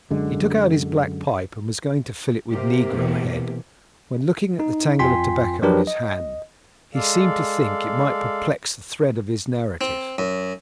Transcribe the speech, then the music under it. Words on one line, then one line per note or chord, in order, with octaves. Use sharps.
He took out his black pipe and was going to fill it with negro-head, when, looking at the tangle of tobacco in his hand, he seemed to think it might perplex the thread of his narrative.
F#2 D3 G#3
C3 A#3 G4
B2 E3
D#4
F2 F4 G5 G#5 C6 B6
F3 F#3 D4 G4 A#4 B4
D#5
G#3 A4 D5 F5
C4
F#2